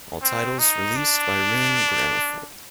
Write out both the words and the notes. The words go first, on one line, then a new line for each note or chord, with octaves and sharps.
All titles released by Rune Grammofon.
C4
D#4
D4